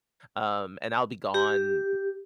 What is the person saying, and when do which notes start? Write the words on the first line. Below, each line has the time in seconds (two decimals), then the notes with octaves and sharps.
Um, and I'll be gone
1.34 G4